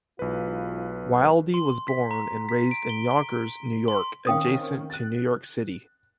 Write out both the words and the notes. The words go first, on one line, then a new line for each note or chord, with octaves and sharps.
Wildey was born and raised in Yonkers, New York, adjacent to New York City.
B1 G#2 E3 F4 B4
C6
B6
A#5
B6
D7
G7
G7
C6
D#3 C4 C#4 F5 G5 D#6
F#6 A6